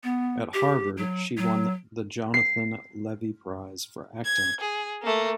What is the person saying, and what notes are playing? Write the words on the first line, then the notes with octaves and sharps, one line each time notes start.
At Harvard, she won the Jonathan Levy Prize for acting.
B3
G4
F#3
F#3
C7
G#6
G#4
A3 A#3